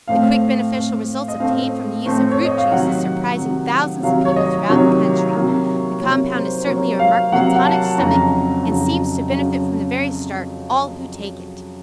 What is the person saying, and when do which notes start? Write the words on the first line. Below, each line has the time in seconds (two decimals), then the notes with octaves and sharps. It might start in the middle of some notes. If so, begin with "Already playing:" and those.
The quick, beneficial results obtained from the use of ROOT JUICE is surprising thousands of people throughout the country. The compound is certainly a remarkable TONIC STOMACHIC and seems to benefit from the very start, all who take it.
0.08 A2 A3 C4 F5
0.74 A2 A3 C4
1.28 D#5
1.40 A2 A3 C4 F5
2.06 A2 A3 C4
2.31 C#5
2.45 D#5
2.58 F5
2.71 C3 D#3 F#3 F#5
3.37 C3 D#3 F#3
4.03 C3 D#3 F#3 F5
4.25 C#5
4.36 D#5
4.69 C3 D#3 F#3 C#5
5.35 C3 F#3 A#3
6.00 C3 F#3 A#3 C#5
6.33 C5
6.66 C3 F#3 A#3 C#5
6.99 F5
7.32 C3 F#3 A#3 F#5
7.55 F#5
7.64 A5
7.98 F2 C#3 F#3 A#5
8.64 F2 C#3 F#3 A#5
9.30 C#3 F#3